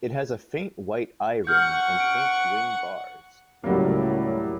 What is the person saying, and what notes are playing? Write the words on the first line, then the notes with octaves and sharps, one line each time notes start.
It has a faint white eye ring and faint wing bars.
F#5 C#6 F6 G6
D7
C#2 F#2 A2 F#3 G3 A#3